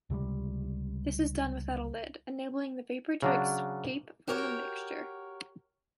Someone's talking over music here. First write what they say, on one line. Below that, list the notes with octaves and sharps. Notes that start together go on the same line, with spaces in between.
This is done without a lid, enabling the vapor to escape from the mixture.
C#2 C3 E3 G3
C#3 F#3 D4
F#4 G4 A#4 C#5 D#5 G5